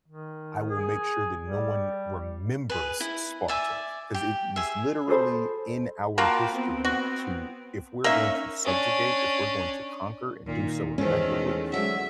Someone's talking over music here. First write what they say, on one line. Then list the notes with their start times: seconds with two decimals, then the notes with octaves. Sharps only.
I will make sure that no one remembers Sparta." 'Cause it is literally in our history to if we're going to subjugate, if we're going to conquer and do so effectively,
0.08 D#3
0.69 G#4
1.46 G3
2.70 G#4 B4
3.00 E4
3.48 D5 E5 G#5
4.14 G4
4.56 G#4 E5
5.07 G#4 A4 C5 B5
6.18 A#3 F4 F#4 G5 A5 B5
6.53 B3 C4
6.85 F#4
8.04 A#3 C#4 D#4 E5
8.65 C#4 D4
10.46 A#2 D#3
10.98 E2 D#3 G#3 A3 C#4 C5
11.72 D3 F#3 G#3 E5